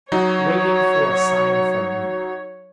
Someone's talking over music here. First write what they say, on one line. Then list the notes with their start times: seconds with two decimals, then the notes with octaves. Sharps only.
Waiting for a sign from me.
0.12 F#3 D#4 C#5